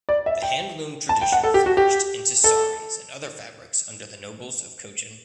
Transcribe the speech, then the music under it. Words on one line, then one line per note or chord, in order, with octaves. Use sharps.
The handloom tradition flourished into sarees and other fabrics under the nobles of Cochin.
D5
E5
G5
A5
G5
F#5
A4
G4
F#4
G4
A4